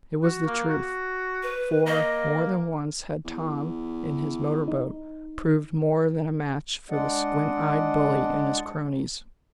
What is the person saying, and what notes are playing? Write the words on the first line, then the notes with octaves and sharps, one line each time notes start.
It was the truth, for, more than once had Tom, in his motor-boat, proved more than a match for the squint-eyed bully and his cronies.
F#4
A#3
F#4
B4
A#3 D#5
E2
D#4
G#3 D4 D5 D#5 F#5